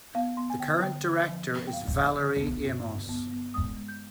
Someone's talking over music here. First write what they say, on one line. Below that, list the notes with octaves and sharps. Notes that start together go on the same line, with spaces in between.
The current Director is Valerie Amos.
B3 F5
B3 C6
G#5
D3 G5
D3 G5
D3
F3
B3
G5
G2 F5
D3
D3
B3
G2
G2
B3
B3
G#3 D#6
G#3
G6